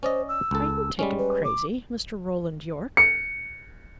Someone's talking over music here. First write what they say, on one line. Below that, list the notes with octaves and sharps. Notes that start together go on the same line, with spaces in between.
"Are you taken crazy, Mr. Roland Yorke?"
C#4 C5 D5 D#5
E6
C#2 A4
G3 G#3 C#4
B4
D6
C#7